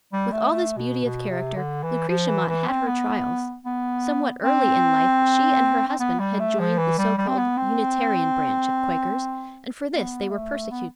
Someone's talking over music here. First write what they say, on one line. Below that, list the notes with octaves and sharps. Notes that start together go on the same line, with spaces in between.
With all this beauty of character, Lucretia Mott had her trials. Somewhat early in life she and her husband had joined the so-called Unitarian branch of Quakers, and for this they were persecuted.
G3
A3
A3
B2
B2
C3
D3
E3
F3
E3
E3
C4
B3
B3
C4
C4
B3
G3
A3
F3
E3
G3
G3
C4
B3
C4
B3
A3
B3